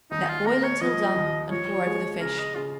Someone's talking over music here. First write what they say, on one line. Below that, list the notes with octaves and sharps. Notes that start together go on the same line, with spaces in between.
Let boil until done and pour over the fish.
D#2 D#4
F4
A#3 A#4
C#5
F3 D#5
D#2
F3 C#5
G#3
C#3 A#4
D#5
C#3 F4